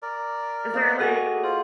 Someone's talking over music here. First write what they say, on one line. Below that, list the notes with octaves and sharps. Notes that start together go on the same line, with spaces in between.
is there, like,
A#4 D5
A#3 D#5
F#4 G#4 A4 F#5 G#5 A#6
F4 C5